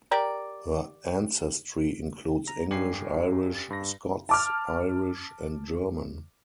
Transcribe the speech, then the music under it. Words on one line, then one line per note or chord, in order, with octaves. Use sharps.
Her ancestry includes English, Irish, Scots-Irish, and German.
G4 A#4 D5
A#5
G2 G4 G#5 C7
G2 A#6
A5 D6 F6